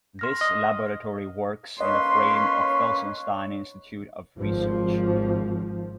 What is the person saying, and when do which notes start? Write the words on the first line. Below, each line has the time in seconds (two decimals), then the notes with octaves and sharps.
This laboratory works in the frame of Felsenstein Institute of Research.
0.19 C6 F6 A#6
0.41 D#5
1.81 A#3 C#4 B4 C#5 D#5 C6
4.38 G#1 F3